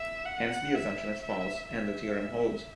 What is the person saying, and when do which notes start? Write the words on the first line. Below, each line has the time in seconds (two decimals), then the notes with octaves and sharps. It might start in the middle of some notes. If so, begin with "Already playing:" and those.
Hence the assumption is false and the theorem holds.
Already playing: E5
0.26 F#5
0.75 E5
1.23 E5
1.71 E5